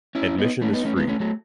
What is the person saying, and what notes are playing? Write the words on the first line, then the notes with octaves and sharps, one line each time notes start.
Admission is free.
C#4 E4
B3 D#4
A3 C#4
B3 D#4
A3 C#4
G#3 B3
A3 C#4
F#3 A3